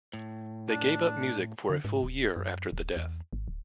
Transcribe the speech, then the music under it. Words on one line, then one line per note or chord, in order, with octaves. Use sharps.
They gave up music for a full year after the death.
A2
D4
D3
G#2
D1
F#2
D1
E2
G#1
D1